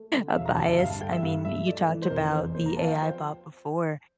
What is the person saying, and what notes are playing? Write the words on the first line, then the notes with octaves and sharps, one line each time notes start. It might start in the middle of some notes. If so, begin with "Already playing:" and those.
a bias? I mean, you talked about the AI bot before,
Already playing: A3
D3
E5
E1 F5
A#5
D2 A5
E5
G2 F5
A5
A3 G5
E5
G2 F5
F3 E5
A3 D5
E3
C5
F1 A#4
E2 C5
A#3 C5
A#5
F3 A5
F5
G5
C5